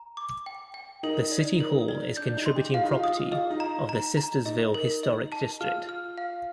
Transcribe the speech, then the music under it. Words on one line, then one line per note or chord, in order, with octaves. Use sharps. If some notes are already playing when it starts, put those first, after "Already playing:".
The City Hall is contributing property of the Sistersville Historic District.
Already playing: A#5
D6
G5
G5
D#4 A#4
D5
A#4
D5
D4 G6
D#4
C6
G4
F4 F5
D#4
F4
D#6
F4 D#5
D#4
A#5
A#5
A#5
D#4 D#5
A#4
D#5
A5
F4 F6
F6
F5